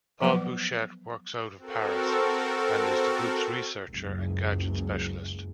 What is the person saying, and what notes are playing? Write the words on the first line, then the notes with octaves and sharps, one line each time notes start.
Paul Buchet works out of Paris, and is the group's researcher and gadget specialist.
F3 F#3 B3 B4 F#5 D6
C4 F#4 A4 A#4
F#1 C#2 F#2